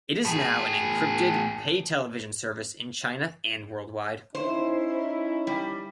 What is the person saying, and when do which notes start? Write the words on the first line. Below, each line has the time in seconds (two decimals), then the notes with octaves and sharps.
It is now an encrypted pay-television service in China and worldwide.
0.25 A2 G#4
4.35 C#4 D#4 E4 C5
5.47 G3